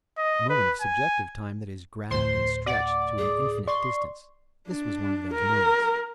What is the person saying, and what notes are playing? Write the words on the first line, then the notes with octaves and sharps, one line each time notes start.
A moment of subjective time that is grabbed and stretched to an infinite distance. This was one of those moments.
D#5
B4
G#5
D2 A2 C5 C6
D5 F#5
G#4
D5 C6 C#6
D4
A#4